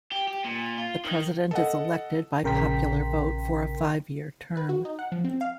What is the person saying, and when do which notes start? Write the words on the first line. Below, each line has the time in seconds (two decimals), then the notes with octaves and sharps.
The president is elected by popular vote for a five-year term.
0.12 G4
0.27 G4
0.44 A#2
0.78 F4
1.04 D#3
1.51 A4 D#5 F#5
2.44 A#1 C#3 A#4 G5 C6 B6
4.57 B4
4.69 F#4
4.85 D#4
4.99 F#5
5.12 F3
5.24 C4
5.41 F5